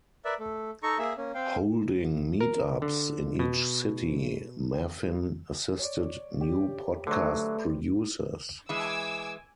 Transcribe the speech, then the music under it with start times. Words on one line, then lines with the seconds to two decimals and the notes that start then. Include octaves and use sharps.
Holding "meetups" in each city, Maffin assisted new podcast producers.
0.25 A#4 B4 D5 E5
0.39 A3
0.83 D#4 A4 A#5 C#6
0.99 A#3 G#4 E5
1.17 A#3 C#4
1.34 C4 F5 G5
2.41 A#4
2.82 D3
3.39 B2
5.79 C#5 D5
6.41 G4
7.07 D3 F#3 A3 B4 C5 D5
8.69 E3 G#3 G#5 D6 E6